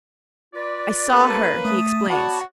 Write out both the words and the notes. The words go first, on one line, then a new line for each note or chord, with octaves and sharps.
"I saw her," he explains.
F4 B4 D5
A#3 C#4 G4 A4 B4
A3 E5 A5 D#6
B3 F#4 C#5 D5 F#5 A5 B5